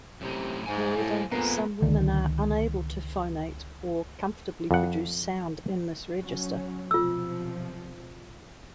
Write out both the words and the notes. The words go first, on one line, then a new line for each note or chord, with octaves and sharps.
However, some women are unable to phonate or comfortably produce sound in this register.
F#2 A2 C3 D#4
G#2 C5 F5 G#5
A2
F2 A#2 G#3 A#3 B3 A#4 C7
C#2 D3 D#3
F2 F#5
F#3 C#4
B1 C3 F3 F4 E6